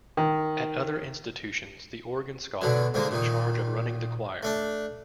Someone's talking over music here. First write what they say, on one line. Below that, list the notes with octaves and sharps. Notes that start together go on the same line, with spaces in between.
At other institutions, the organ scholar is in charge of running the choir.
D#3
B2 D3 F#3
G#2 D3 A#3
A#2 D#3
A3 D4